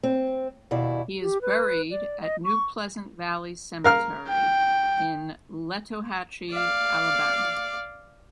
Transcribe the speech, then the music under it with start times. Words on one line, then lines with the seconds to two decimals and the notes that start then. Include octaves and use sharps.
He is buried at New Pleasant Valley Cemetery in Letohatchee, Alabama.
0.03 C4
0.71 D#2 B2 E4 D5
1.21 G4
1.42 B4
1.91 D5
2.21 D#5
2.45 C#6
3.84 A#4 F5 F6
4.29 G5
6.51 D5 F5